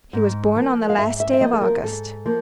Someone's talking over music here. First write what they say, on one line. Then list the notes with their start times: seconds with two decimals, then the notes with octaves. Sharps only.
"He was born on the last day of August."
0.13 G#2
0.56 F3 A#3
0.89 F5
0.99 G#2 E5
1.20 E5
1.33 E5
1.41 F3 A#3 D#5
1.53 A4
1.62 A#4
1.83 G#2 A4
2.26 F3 A#3